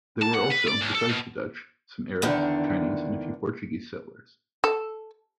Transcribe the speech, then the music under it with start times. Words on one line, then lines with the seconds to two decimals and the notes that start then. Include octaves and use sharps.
There were also, besides the Dutch, some Arabs, Chinese and a few Portuguese settlers.
0.22 A5
0.34 F#5
0.51 B4
0.67 D5
0.81 B1
0.95 A4
1.09 B2
2.22 E2 D3 D#3 D4
4.64 A4